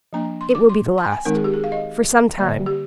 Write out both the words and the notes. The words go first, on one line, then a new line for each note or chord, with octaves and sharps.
"It will be the last--for some time."
F3 A#3 D4 A#5
C6
D6
C6
C6
G5
G#5
D#3 G#3 C4 D#4 A#4
G#4
G4
G#4
F5
D#5
D3 G3 A#3 D5
G4